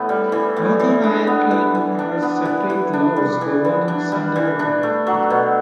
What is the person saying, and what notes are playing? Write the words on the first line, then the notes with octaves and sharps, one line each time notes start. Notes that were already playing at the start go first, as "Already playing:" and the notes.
Northern Ireland has separate laws governing Sunday opening.
Already playing: A2 E3 B3
G3
E3
A2
E3
D4
B3
E3
E3
D4
B3
E3
E3
D4
G3
E3
E3
D4
G3
E3
D4
A3
F#3
B2